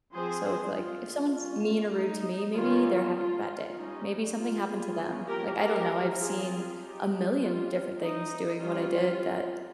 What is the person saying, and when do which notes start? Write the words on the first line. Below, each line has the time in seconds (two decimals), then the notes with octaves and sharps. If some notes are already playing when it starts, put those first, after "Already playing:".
So, it's like, if someone's mean or rude to me, maybe they're having a bad day, maybe something happened to them, like, I don't know. I've seen a million different things doing what I did that
0.13 F3 C4 G#4 C5
0.74 F4
1.34 G3 A#3 C#4 F4
1.95 D#4
2.55 D#3 G3 A#3 C#4 F4
3.16 F4
3.76 G3 C#4 D#4
4.37 F4
4.67 F4 G#4
4.98 F3 A#3 C#4
5.27 G4 A#4
5.58 G4 A#4
6.18 F3 C4 F4 G#4
6.79 D#4 G4
7.39 G3 C4 F4
8.00 D#4
8.61 G3 C#4 F4